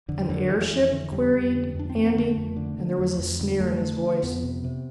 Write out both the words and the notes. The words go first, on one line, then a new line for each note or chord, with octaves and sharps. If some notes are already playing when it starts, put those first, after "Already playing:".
"An airship?" queried Andy, and there was a sneer in his voice.
F2 D3
F2 D3
F2 E3
F2
D3
F2 G3
F2
D3
F2 D4
F2 C4
B3
D3
A3
F2
D3
D3
F2
F2
D3
F2 A3
D3
D3
F2 B3
C3
C3